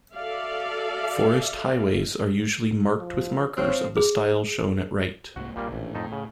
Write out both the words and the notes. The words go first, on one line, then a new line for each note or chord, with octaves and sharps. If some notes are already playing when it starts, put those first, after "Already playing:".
Forest highways are usually marked with markers of the style shown at right.
F#4 A4 D5 E5 F5
F3
F3 C4 C#5
G#4
C2 G#2 A#3 F#4
A#1 A#2 G3 A#3
A1
F2 A2 D#4 A5
C#3